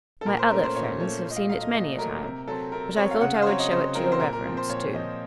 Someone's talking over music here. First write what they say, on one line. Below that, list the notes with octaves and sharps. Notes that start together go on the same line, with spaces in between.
"My other friends have seen it many a time, but I thought I would show it to your Reverence, too."
A4
A#2 A#4
C5
A3 C#4 A#4
C5
A#2 C#5
A3 C#4 C#5
A#2
D#5
F5
F#3 A3 F5
D#5
A#2 D#5
F#3 A3 A#4
C3 A#4
F#3 C4 A4
C3 A#4
F#3 C4 C#5
F5
C#3 F#5
F5
C5
F#3 C4 C#5
D#5
C#3 C5
F#3 C4 A#4
C5
A#2 A#4
A#4
F3 C4
C5
A#2 C#5
F3 C4 D#5